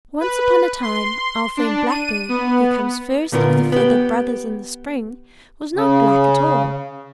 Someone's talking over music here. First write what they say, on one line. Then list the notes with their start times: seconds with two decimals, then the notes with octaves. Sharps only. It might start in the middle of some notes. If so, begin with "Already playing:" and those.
Once upon a time, our friend Blackbird, who comes first of the feathered brothers in the spring, was not black at all.
0.21 B4
0.82 C6
1.57 D4
1.89 D#7
2.29 B3
3.32 A#2 D3 B3 F4 G#4 A#4
3.72 B3 G4
5.75 C#3